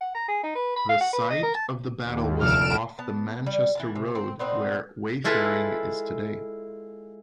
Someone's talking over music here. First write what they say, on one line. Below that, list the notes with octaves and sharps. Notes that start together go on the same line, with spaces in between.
The site of the battle was off the Manchester Road where Wayfaring is today.
F#5
A#5
G#4
D#4
B4
B5
F5
F#5
B4
D#5
A#4
A5
D#2
F1 D2 A4 F6 D7 E7
B3 A5
G3
E3 A#4 A5
C3
C4
A#2 B3 C4 D#4
G#3 E4 F4 A4 B4